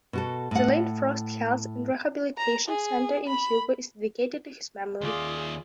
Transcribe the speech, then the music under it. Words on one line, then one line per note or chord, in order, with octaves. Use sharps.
The Lane Frost Health and Rehabilitation Center in Hugo is dedicated to his memory.
B2 F#4 A4
A2 F#5
A#5
G#4
B5
D#2 F4 G#4 D5